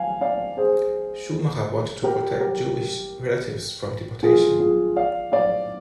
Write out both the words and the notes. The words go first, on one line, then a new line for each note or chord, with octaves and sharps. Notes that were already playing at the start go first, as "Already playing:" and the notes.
Schumacher wanted to protect Jewish relatives from deportation.
Already playing: F5 G#5
D5 F5
G#4 C5
G4 A#4
G4 A#4
F4 G#4
F4 G#4
D5 F5
D5 F5